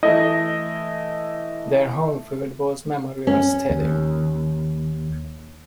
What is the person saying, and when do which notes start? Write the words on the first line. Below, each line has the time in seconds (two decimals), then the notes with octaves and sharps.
Their home field was Memorial Stadium.
0.03 E3 A3 E4 D#5
3.27 C#4
3.70 D#2